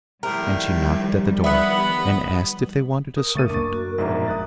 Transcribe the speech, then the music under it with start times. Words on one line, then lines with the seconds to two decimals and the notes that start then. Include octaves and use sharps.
And she knocked at the door, and asked if they wanted a servant.
0.23 A2 C3 D#3 F3 G3 A#4
1.44 B3 E5 F#5 B5
3.17 A#4 D#6
3.35 C#3 A3 A#4 C#6 A6 D#7
3.50 F#2 A2 A#3 D4 C#6 D6 A6
3.73 F#4
3.98 A#1 G#2 B2 E5 A#5
4.28 G#1 F2 G#3 D#6 F#6 A6